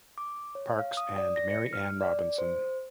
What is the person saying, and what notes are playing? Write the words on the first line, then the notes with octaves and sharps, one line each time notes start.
Parks and Mary Ann Robinson.
D6
C#5
F5
D#6
D5
A#6
C#7
F6
D5
C5